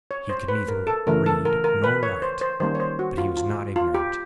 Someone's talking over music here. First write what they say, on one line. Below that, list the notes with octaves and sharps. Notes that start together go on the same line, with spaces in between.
He could neither read nor write. But he was not ignorant.
C#5
C5
B4
A#4
A4
C#3 E3 A3 A#4
A4
A#4
A#4
B4
C#5
C5
C5
D#3 G3 A#3 C#4 C5
C#5
C5
F#4
F4
F4
F4
G4